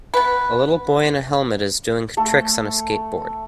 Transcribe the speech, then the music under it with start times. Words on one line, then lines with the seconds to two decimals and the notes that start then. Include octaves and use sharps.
A little boy in a helmet is doing tricks on a skateboard.
0.14 B3 B4
2.17 A3 A4